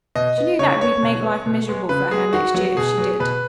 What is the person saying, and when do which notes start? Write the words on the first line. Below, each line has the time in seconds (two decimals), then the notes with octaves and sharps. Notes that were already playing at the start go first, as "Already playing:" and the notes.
She knew that we'd make life miserable for her next year if she did.
0.15 B2 D#5
0.38 B3
0.59 C#3 C#5
0.81 B3 C#5
1.02 B2
1.24 B3
1.46 B2
1.68 G#3 B3
1.89 C#3 B4
2.11 G#3 B3 G#4
2.33 D#3 F#4
2.54 F#3 B3 F#4
2.77 B2 G#4
2.98 F#3 B3
3.20 B2 B4